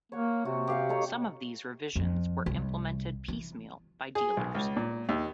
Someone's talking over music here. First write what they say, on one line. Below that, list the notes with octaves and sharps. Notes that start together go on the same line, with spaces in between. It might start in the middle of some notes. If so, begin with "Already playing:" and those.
Some of these revisions were implemented piecemeal by dealers.
A#3 C#5 F#5
C3 F#4
G4 F5 F#5
D#4 A4 C#5
F2
C2
E3
G#4
B1
C#2
A#2
D#2